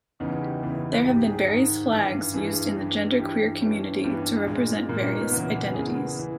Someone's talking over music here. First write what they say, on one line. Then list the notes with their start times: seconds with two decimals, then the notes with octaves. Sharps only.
There have been various flags used in the genderqueer community to represent various identities.
0.20 E2 C#3 E3 D#4
0.42 G4
0.63 E2 C#3 E3
1.05 G#2 D#3 G4
1.16 G4
1.26 G#4
1.48 G#2 D#3
1.90 G2 E3
2.34 G2 E3 G#4
2.76 G2 E3
3.19 G2 E3 G4
3.61 G2 E3 C#4
4.04 G2 E3 B3
4.47 A#2 G#3
4.89 A#2 A#3
5.00 C#4
5.10 D#4
5.21 B3
5.32 E2 C#3 E3 A#3
5.53 B3
5.74 E2 C#3 E3 G#4
6.19 E3